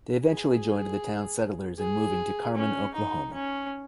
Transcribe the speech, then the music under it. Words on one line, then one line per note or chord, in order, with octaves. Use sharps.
They eventually joined the town's settlers in moving to Carmen, Oklahoma.
G#4
G#4
C#4
D#4
C#4